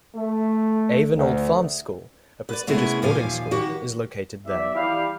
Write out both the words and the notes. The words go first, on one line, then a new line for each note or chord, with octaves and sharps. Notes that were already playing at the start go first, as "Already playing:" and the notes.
Avon Old Farms School, a prestigious boarding school, is located there.
A3
D2
B4 D5
C3 G#3 A3 B3 C#4 E4
D#2 A#2 E3 F3 F5 G#5
D#3 F#4 G4
B1 D5 E5
E3 G3 F5